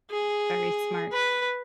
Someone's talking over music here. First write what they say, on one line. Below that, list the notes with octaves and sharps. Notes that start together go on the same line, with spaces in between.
Very smart.
G#4
B4